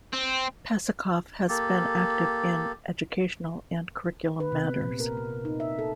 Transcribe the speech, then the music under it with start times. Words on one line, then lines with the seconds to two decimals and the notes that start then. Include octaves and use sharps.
Pasachoff has been active in educational and curriculum matters.
0.13 C4
1.49 A#3 G4 A4
4.40 B4
4.52 C3
4.64 B3
4.81 A#2
5.00 A#4
5.17 A#3
5.30 C3
5.45 D#4
5.60 E5
5.79 A4